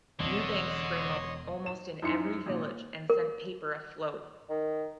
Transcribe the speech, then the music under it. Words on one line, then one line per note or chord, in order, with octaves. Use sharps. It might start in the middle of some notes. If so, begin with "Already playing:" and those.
New banks sprang up almost in every village, and sent paper afloat.
E1 D3 E3 C4 C#5 D#5 C6
E7
F#2 D#4 E4 C6 C#7
G#1 A#2
A#4
D#3